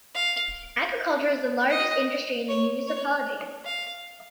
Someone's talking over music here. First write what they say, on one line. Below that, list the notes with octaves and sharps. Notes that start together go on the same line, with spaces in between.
Agriculture is the largest industry in the municipality.
F5
D#5
C#5
C#5
F5